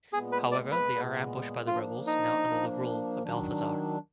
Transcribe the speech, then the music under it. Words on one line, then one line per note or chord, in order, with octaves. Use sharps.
However, they are ambushed by the rebels, now under the rule of Balthazar.
A#2 G#3 B3 G#4
B4
D5
B4
A#2 G#3 B3
F3 A#3 D4 F4
D#4
F3 A#3 D4
D#3 F#3 D4